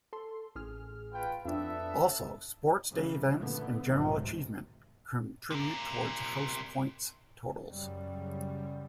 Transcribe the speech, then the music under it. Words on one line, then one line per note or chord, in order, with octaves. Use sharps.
Also, sports day events and general achievement contribute towards house points totals.
A4 C6
A1 G#4 F6
F4 B4 G5
F2 B3 D4 A4 E5
C#3 E3 G3
A#2 D3 A3 B3
F1 B1 F2 G#2 C3 D#3
C3 A#4
F#2 C#3 F#3 G3